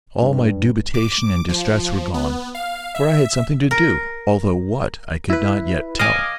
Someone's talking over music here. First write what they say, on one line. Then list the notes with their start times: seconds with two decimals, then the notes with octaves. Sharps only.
All my dubitation and distress were gone, for I had something to do, although what I could not yet tell.
0.22 G2
0.94 D6
1.49 F3
2.14 B3
2.55 F5
2.95 E5
3.71 A#4
5.30 E4 B4
5.99 D#5 F5 G#5 D6 D#6